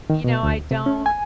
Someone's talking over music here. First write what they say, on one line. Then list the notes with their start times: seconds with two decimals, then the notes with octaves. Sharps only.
you know, I don't
0.10 D#3
0.24 B2
0.43 D2
0.71 C3
0.86 C#4
1.06 G#5